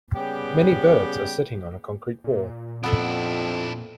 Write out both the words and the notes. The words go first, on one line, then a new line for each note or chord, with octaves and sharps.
Many birds are sitting on a concrete wall.
C#3 G3 B3 G4
A#2
F2 B3 D4 E4 A4 F#5